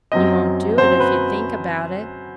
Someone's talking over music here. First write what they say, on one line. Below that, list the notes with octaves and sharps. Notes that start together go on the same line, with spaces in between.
'You won't do it if you think about it.
F#2 F#3 C4 D#5
F#2 F#3 C4 C5
B4